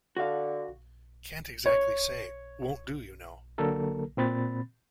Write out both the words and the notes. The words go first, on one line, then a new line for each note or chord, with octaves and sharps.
"Can't exactly say" won't do, you know.
D3 F#4 F5
C#5
D3 F#3 A#3 A4 A#4
A#2 C4 B5 A6